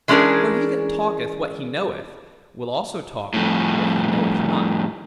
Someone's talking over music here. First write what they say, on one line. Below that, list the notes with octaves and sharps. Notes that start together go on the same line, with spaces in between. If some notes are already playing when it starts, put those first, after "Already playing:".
For he that talketh what he knoweth, will also talk what he knoweth not.
E3 G#3 C#4 D4 G#4 A#4
F2 A2